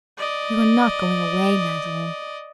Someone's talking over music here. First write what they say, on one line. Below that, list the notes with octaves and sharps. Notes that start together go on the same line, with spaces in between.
"You are not going away, Magdalen?"
D5 D#5